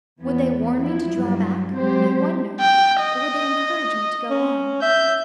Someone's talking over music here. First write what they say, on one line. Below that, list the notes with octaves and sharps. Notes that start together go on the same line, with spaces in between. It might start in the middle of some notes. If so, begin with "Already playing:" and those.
Would they warn me to draw back, I wonder? or would they encourage me to go on?
E2 E3 B3
F3 E4
G2 F#3 G3
F#3 G#3 C4 G4 C5
G5
D#5
C#4
E5 G6